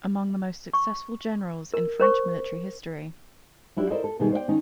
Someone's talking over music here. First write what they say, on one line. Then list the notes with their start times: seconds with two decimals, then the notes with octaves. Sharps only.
Among the most successful generals in French military history.
0.73 C#6
1.74 A#4
2.00 A#4 C5 C#6
3.77 F#3 D4 E4 F#4 G4
3.90 E4 A4 A#4 C5 D5 D#5
4.04 A4
4.19 B2 D#3 G3 D#4 E4 G#4
4.32 C5 D5 D#5 G5
4.48 D#3 C#4 D#4